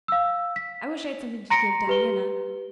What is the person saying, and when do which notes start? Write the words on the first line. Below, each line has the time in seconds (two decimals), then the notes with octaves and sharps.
I wish I had something to give Diana.
0.08 F5 E6
0.56 B6
1.50 A#5 C6 A#6 C#7 D7
1.87 G4 B4 G7